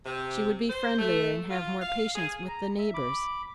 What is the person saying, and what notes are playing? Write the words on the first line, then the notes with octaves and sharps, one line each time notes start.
She would be friendlier, and have more patience with the neighbours.
C3
C5
A3
F4
F5
G#4
A#5
E5
B5 D6